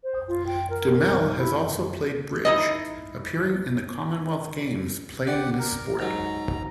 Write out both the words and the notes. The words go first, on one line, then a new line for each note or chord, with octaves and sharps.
De Mel has also played bridge, appearing in the Commonwealth Games playing this sport.
C5
F4
G5
A#4
A#4
D#4
E4
D#4 E4 D#5
G4 D5 F#5
A#4
G#2 F#3 A#5